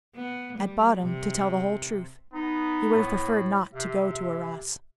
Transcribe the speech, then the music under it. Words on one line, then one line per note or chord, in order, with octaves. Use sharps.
At bottom, to tell the whole truth, he would have preferred not to go to Arras.
B3
G3
C3
B3 D#4
A2
C3 E5